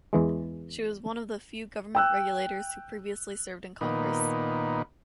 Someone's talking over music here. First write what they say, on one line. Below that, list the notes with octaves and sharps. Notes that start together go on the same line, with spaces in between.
She was one of the few government regulators who previously served in Congress.
E2 E3 G#3
G5 E6 F#6
A#2 D#3 B3